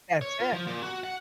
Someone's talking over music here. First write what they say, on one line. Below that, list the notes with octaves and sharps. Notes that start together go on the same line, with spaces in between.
That's it.
C#5
F4
F3
A#2
F#4
F#5